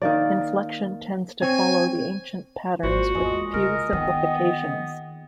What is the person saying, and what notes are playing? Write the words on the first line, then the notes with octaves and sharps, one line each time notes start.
Inflection tends to follow the ancient patterns with few simplifications.
D#3 A#3 D5
C4 C#5 G#5
G#1 A#2 F#4 C5
E2 G#3 D#5
C#3 A#4
D#3 B3 G5 G#5